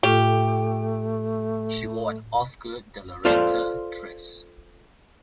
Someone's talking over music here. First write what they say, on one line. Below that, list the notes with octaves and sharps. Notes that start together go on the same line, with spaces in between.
She wore an Oscar de la Renta dress.
A2 A3 F4 G4
F4 A4 C5 D5 F5